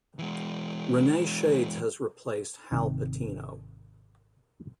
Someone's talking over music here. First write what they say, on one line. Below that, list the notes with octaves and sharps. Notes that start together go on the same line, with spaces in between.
Rene Shades has replaced "Hal Patino".
E3 G#3
G#1 D2 C3 D#3